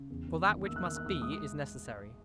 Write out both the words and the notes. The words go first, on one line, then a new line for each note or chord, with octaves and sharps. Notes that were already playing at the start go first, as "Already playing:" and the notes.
For that which must be is necessary.
Already playing: C#3
E2
E2
D#3
A#3 E6
F#6
D#3 E6
F#6
E2 E6
G#3 D#6
D#6